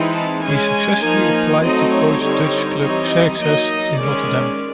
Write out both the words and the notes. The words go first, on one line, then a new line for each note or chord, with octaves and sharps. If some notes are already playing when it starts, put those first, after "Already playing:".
He successfully applied to coach Dutch club Xerxes in Rotterdam.
Already playing: E3 G#3 C4 D#4
A5
G#3 C#4 G#5
F3 A#3 D#4
F#3 A3 C4 D#4 D#5
C#5
D3 G3 C4 D#4
E3 G3 C4 D#4 C#5
D#5
F#3 A#3 D#4 D#5
D#3 G#3 C#4 D5